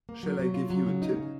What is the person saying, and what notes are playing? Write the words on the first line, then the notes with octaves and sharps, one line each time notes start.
Shall I give you a tip?
A#3
F#3
F#3
F4
F#3
C#3
D#4
C#3